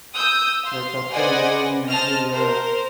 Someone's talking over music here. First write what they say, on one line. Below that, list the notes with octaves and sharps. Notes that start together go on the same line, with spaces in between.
The couple lived in Nigeria.
D#6 E6 G6
F5 C6
B4 C5 D5 D#5 F#5 G#5
C5 D#5 A5 F6
A#4 C5